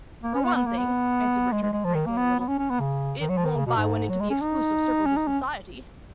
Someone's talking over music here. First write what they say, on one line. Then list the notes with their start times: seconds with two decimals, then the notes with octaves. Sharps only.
"For one thing," answered Richard, rankling a little, "it won't buy one into the exclusive circles of society."
0.23 A#3
0.35 C#4
0.45 B3
0.56 B3
0.67 A#3
0.78 B3
1.52 G#3
1.63 G#3
1.73 G#3
1.85 F3
1.95 D#3
2.06 A#3
2.17 B3
2.40 B3
2.48 C#4
2.59 C#4
2.70 B3
2.80 C#3
3.21 D#3
3.29 F#3
3.37 F3
3.45 D#3
3.56 C#3
3.66 B2
3.76 G#2
4.09 F#3
4.20 G#3
4.30 C#4
4.42 D#4
5.06 C#4
5.17 D#4
5.27 C#4